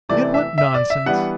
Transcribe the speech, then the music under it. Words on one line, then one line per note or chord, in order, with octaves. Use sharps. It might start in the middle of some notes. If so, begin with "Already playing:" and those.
Yet what nonsense!
C3 E3 A3 D5
E5
E5
D5
E5
E3 G3 B3 D4 F#5